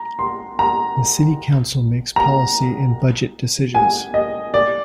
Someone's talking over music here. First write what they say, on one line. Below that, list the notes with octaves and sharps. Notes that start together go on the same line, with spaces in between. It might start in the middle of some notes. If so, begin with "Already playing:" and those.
The City Council makes policy and budget decisions.
Already playing: A#5
C6
A#5
A#5
G#5
D#5
D5